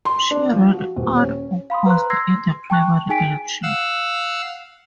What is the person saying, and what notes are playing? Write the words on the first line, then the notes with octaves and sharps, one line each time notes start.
She ran unopposed in the primary election.
C6
D4
F3
F#4
D#1
C#4
F5 B5 C6 D#6
B4 C5 A#5 C6 F#6
C6 E6 G#6 A#6 C7
G5 A5 C#6 F#6
D#4 G#4 G5 G#5 B6 D7
F5 F#5 E6